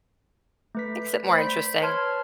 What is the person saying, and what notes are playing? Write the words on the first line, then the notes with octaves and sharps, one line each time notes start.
makes it more interesting.
A3 B4 B6
C5 D5 B5
B6
B4 C#5 A5 C6 F6 G#6